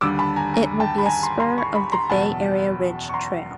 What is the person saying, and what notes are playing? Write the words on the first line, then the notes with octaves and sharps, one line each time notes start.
It will be a spur of the Bay Area Ridge Trail.
D#2 D3 G3 D6 E6
A5 B5
G#5 A#5
G#5 A#5
G5 A5
B5
G#5 A#5
A#5 C6
A#5 C6
B5 C#6
B5 C#6
A#5 C6
F#1 E2 B2 A5 B5
C#6
A#5 C6